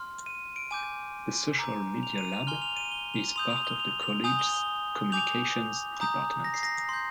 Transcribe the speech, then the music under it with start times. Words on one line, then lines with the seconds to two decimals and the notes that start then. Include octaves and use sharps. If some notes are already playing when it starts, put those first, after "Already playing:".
The Social Media Lab, is part of the College's Communications Department.
Already playing: C6 F6
0.26 D#7
0.56 D7
0.71 G#5 D6 G6 D#7
1.59 A#5 D6 G6
2.03 F7
2.18 D#7
2.33 F7
2.47 G#5 C6 F6 G7
2.62 F7
2.77 D#7
2.91 G7
3.14 F7
3.36 C6 D#6 G6 F7
3.50 F7
3.65 G7
3.80 F7
4.02 F7
4.24 G#5 D#6 G6 F7
4.39 G7
4.53 G7
5.12 G#5 D6 G6 F7
6.01 A#5 D#6 G6
6.44 A#6
6.54 C7
6.63 A#6
6.89 C6 G6